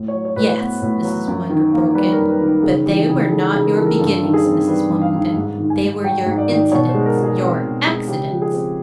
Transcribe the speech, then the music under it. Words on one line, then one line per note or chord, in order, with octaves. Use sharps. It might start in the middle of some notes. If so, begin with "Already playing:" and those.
"Yes," Mrs. Munger broke in; "but they were not your beginnings, Mrs. Wilmington; they were your incidents--your accidents."
Already playing: A2
C#5
F#3
C#5
A2 B4
C5
B3
A2
F#3
F#2
D#3
A#3
G3 B4
A#4
F#2
B4
D#3
A#4
C#3 G#4
E3 G4
C#3 G#4
G#3 A4
C#3
A#4
E3 A4
A#4
G2 A4
D#3
G#4
C4
G3 B4
G2
F5
D#3
G#2
D#3
G#5
G#2
F#3 G5
G#2
D5
D#3
B2 C#5
C5
G#3
A#4
B2
G#4
C4
B2
G#3
C#3 G4
F3
G#4
C4